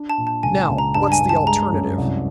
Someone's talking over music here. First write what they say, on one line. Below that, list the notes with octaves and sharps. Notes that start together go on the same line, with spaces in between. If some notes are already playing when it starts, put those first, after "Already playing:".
"Now, what's the alternative?"
Already playing: D4
A5
A#2
A5
C#2 G#5
A5
C#2
A#5
G2 A5
G#5
G2
A5
G#3 A#5
F#2
C2